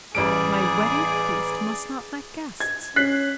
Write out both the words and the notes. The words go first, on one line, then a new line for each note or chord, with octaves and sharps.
My wedding feast must not lack guests.
A1 G3 G#4 D5 D7
G#6
C#4 F#6 B6 C7